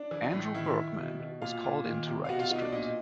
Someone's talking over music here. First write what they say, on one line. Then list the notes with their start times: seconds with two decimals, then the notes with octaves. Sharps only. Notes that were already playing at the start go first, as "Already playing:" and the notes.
Andrew Bergman was called in to write the script.
Already playing: D4 D5
0.11 E3
0.33 A2
0.54 D#3 E4 E5
0.76 D#3
0.98 B2
1.20 B2
1.42 A#2 F4 F5
1.64 A#2
1.85 D#3
2.07 C3
2.24 F5
2.29 B2 F#4 F#5
2.40 F4 F5
2.50 B2 D#4 D#5
2.61 D4 D5
2.72 A#2 D#4 D#5